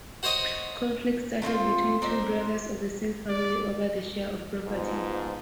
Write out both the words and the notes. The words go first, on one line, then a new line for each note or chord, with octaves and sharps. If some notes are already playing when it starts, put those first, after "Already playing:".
Conflict started between two brothers of the same family over the share of property.
F#4 C5 C#5 D#5
A3 C4 D#4 F4
C4 D4 D#4 C5
D5
G#2 B2 F3